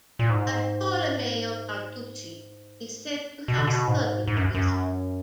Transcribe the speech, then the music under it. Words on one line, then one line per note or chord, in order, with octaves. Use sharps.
Bartolomeo Carducci is said to have studied with him.
A#2
G#2
B2
D3
B2
G#2
G#2
F#2
F#2